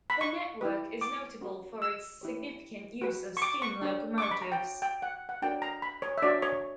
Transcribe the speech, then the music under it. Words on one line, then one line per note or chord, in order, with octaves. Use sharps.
The network is notable for its significant use of steam locomotives.
B5
C#6
E4 G4 B4
D6
C#4 F#4 A#4 C#5
E6
E4 G4 C#5
F#4 B4
C#6
D6
C#6
D4 G4 C#5
D6
C#6
B5
A#5
G5
F#4 C#5
G5
F#5
F#5
D4 F#4 A#4 C#5 G5
A#5
B5
C#5
E5
D4 F#4 C#5 D5
C#5